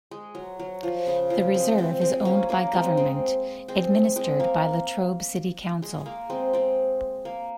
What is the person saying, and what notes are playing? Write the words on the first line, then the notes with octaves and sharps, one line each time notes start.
The reserve is owned by government, administered by Latrobe City Council.
G#3
F#3
F#3
F3
C#3
F3
G#3 C4
G#3 C4
G#3 C4
A#3 C#4
A#3 C#4
G#3 C4
G#3 C4
G#3 C4
G#3 C4
A#3
G#3
A#3
G#3 C4
G#3 C4
A#3